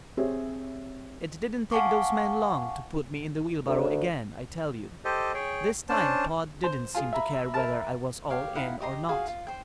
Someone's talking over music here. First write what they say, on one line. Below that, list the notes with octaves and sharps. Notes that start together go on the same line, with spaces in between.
It didn't take those men long to put me in the wheelbarrow again, I tell you. This time Pod didn't seem to care whether I was all in or not.
C4 G4 G#4 C#5 E5
F5 F#5 G#5 A5 C#6 D6
D2
G4 A4 C5 D#5
G#4 C#5 G5
C#4 D4 C5 A5
C5
F4 G#4
E5 A#5 B5
A#4 A5
G4 C#5 F5
D#4 E4 F5 F#5
G4 D#5 A#5 C6
F4 F#4 G#4 F5
F4
C5 G5